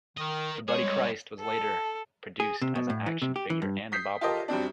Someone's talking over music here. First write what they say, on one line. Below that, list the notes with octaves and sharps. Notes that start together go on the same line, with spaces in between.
The Buddy Christ was later produced as an action figure and a bobblehead.
D#3 A#4 D#5
G#3 G#4 C#5
G2
A4
G#4
C3
B2
A2
E3
C3
G4
E3
G2
D#6 G6 B6 C7
F4 G4 A4 A#4 D#5
F#2 G3 C4 D4